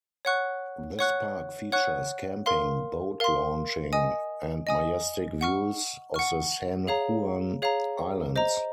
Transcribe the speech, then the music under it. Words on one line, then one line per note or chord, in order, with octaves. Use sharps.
This park features camping, boat launching, and majestic views of the San Juan Islands.
C#5 F#5 C#6 F#6
C#5 F#5 C#6 F#6
C#5 F#5 C#6 F#6
A#4 F5 C6
A#4 F5 C6
D#5 G#5 D#6
D#5 G#5 D#6
F#5 C#6 F6
F#5 C#6 F6
G#4 C#5 F5 A#5
G#4 C#5 F5 A#5
C5 D#5 A#5